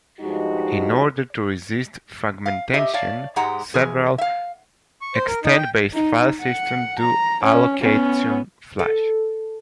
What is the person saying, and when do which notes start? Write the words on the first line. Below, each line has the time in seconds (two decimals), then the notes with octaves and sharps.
In order to resist fragmentation, several extent-based file systems do allocate-on-flush.
0.20 G2 F3 G#3 D#4 F#4 G4
2.46 F5
2.74 G4 D#5 E5
2.94 C#5 D5 F5 A5
3.36 G#2 G#3 G4 F#5 A#5
3.74 F2 E3 G#4
4.18 E5 F5
5.01 C#6
5.15 C5
5.28 A#4
5.44 D#4
5.58 G5
5.94 D#4
6.41 F#5
6.99 A#5
7.44 C#4
7.82 B3 C#4
8.79 A4